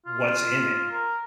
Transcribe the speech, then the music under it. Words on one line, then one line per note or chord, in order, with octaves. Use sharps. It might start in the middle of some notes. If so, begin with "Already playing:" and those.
what's in it.
F4
A#4